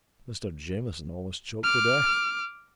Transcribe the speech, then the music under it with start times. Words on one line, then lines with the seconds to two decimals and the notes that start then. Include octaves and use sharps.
Mr. Jamieson almost choked to death.
1.63 D6 F6